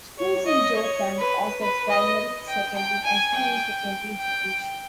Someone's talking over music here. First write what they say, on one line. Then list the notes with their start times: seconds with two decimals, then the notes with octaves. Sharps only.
Schools in Jorethang offer primary, secondary and senior secondary education.
0.18 C#5
0.46 D#5
0.75 C#5
1.18 B4
1.61 B4
1.89 D#5
2.47 G5
2.76 G5
3.04 G#5
3.33 G5
4.19 G5